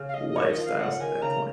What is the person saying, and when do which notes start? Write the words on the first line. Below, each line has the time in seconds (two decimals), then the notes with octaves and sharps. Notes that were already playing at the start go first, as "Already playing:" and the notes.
lifestyles at that point.
Already playing: C#3
0.09 F5
0.14 D#5
0.30 D#5
0.36 D#3 C#5
0.50 D#5
0.57 F3
0.65 F5
0.79 C#3 F#5
1.00 D#3 G#5
1.22 C#3 A#5